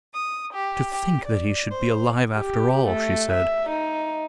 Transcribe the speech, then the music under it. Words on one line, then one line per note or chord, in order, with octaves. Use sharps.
"To think that he should be alive after all," she said.
D#6
G4
G4
D5
C5
G4
A3
E5
D#4